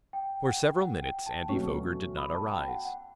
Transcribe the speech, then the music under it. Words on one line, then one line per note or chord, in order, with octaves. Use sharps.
For several minutes Andy Foger did not arise.
G5
F#5
F#5
G5
A5
B2 F#3 A3 C#4 C#6
B5
A5
G5
F#5
F#5